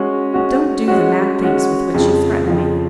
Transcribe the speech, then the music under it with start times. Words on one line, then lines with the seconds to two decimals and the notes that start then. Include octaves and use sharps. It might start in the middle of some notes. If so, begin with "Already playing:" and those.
Don't do the mad things with which you threaten me.
Already playing: G#3 C#4 F#4
0.34 G#3 C#4 F#4
0.88 G#3 C#4 F#4
1.40 G#3 C#4 F#4
1.94 F2 C#3 F3
2.47 F2 C#3 F3